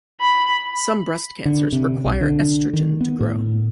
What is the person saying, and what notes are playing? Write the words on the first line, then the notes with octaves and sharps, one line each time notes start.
Some breast cancers require estrogen to grow.
B5
D3
C3
B1
D3
D#3
B3
A2